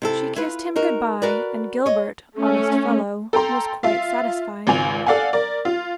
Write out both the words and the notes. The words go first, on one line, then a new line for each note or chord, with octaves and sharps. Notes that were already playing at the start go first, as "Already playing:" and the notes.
She kissed him goodbye, and Gilbert, honest fellow, was quite satisfied.
C3 E4 A4
E4 F4 B4
D#4 F#4 A#4
F#4 A#4 B4 D5
C#5 D#5
A3 C#4
A4 G5 A#5 C6
F4 E5 F5
G#1 C#2 G#5 F7
A4 D5 F5 F#5 G#5
A#4 D5
F4